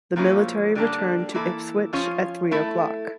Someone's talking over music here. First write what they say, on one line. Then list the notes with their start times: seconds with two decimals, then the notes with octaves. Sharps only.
The military returned to Ipswich at three o'clock.
0.16 A#2 F3 A#3 C#4 E4
0.75 D3 G3 A#3 D4
1.34 E3 A#3 E4 A4
1.93 F3 C#4 F4 C#5
2.51 A3 E4 A4